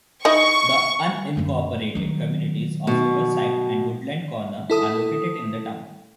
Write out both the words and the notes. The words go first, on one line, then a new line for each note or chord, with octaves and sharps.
The unincorporated communities of Riverside and Woodland Corner are located in the town.
D#4 E4 D#5 C#6
F#2 A#3
D#3 F#3
B2 D#4
E4 A4 D#6